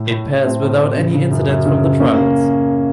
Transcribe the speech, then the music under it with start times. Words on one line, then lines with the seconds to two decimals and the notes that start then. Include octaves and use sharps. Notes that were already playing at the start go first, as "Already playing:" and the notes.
It passed without any incidents from the tribals.
Already playing: A2
0.11 A2
0.27 A2
0.45 A2 A3 C4
0.62 A2
0.80 A2
0.97 C#3
1.15 C#3
1.31 F#2
1.49 F#2
1.66 C#3
1.84 C#3
2.00 C#3 A#3 C#4
2.13 A#3 C#4
2.18 C#3